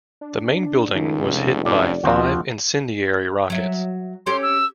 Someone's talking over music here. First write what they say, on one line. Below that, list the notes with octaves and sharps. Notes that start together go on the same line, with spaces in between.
The main building was hit by five incendiary rockets.
D4
C#2 D#3 A3
F1 C3
F2 C#4 D5
A#1 D#2 F3 C4 F#4
F#3 E5
C#4 G4 A4 C6
E6